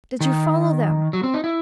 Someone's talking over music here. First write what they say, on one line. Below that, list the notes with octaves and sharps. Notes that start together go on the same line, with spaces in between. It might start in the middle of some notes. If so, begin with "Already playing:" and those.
"Did you follow them?"
D#3
F#3
C4
D#4
E4